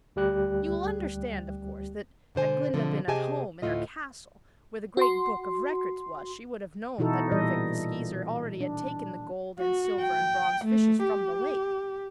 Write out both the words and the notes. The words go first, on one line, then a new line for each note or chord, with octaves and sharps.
You will understand, of course, that had Glinda been at home in her castle, where the Great Book of Records was, she would have known that Ervic the Skeezer already had taken the gold and silver and bronze fishes from the lake.
D2 G3 G4 F#6
B2 D3 C5 G#5
B2 D3 F3 C4
C3 G4 G#4 D#5 G#5 A5
D2 A2 A3 F4 D#5
F#4 C6
B2 E3 D#4 E4 F#4 A4
A#2 E3 G3 D#5
D4
F#4
G5
A3
G4